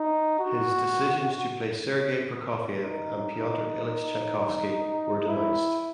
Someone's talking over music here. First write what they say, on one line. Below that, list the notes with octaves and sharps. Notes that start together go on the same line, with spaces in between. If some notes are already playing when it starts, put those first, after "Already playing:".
His decisions to play Sergei Prokofiev and Pyotr Ilyich Tchaikovsky were denounced.
Already playing: D#4
F#4
D#4
D#4
D#4
E4